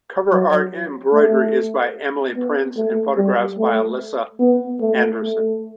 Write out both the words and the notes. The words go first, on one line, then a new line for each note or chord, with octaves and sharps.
Cover art embroidery is by Emily Prince and photographs are by Alissa Anderson.
F#3
A3
B3
A3
G3
A3
B3
A3
A3